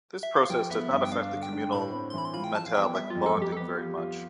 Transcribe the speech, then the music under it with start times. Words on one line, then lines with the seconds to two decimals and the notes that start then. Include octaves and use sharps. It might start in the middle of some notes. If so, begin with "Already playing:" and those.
This process does not affect the communal metallic bonding very much.
0.23 E5
0.36 F5
0.50 F3 G5
0.70 B3 E5
0.91 G2 E5
1.05 G5
1.12 D4 F5
1.32 D3
1.43 G5
1.53 D4
1.72 A2 B5
1.93 C4
2.10 C6
2.14 E3 B5
2.25 C6
2.34 F4 B5
2.44 G5
2.54 F3 A5
2.66 F5
2.74 B3 G5
2.95 G3 E5
3.10 F2 F4
3.26 A4
3.37 F2
3.42 G4
3.52 A4
3.57 B3 G4
3.77 F4
3.97 F4